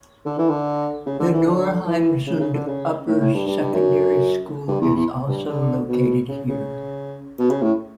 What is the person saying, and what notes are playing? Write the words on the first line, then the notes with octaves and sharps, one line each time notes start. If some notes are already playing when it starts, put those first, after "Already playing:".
The Norheimsund Upper Secondary School is also located here.
D3
E3
D3
C#3
D3
E3
D3
E3
C#3
C#3
D3
C#3
A2
A2
G2
G2
G2
F#2
G2
E2
E2
G2
D3
B2
C#3
C#3
B2
C#3
A2